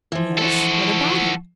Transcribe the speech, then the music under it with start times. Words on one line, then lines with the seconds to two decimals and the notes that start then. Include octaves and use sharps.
"Yes, what about him?"
0.12 E3 F3
0.38 F#4 A4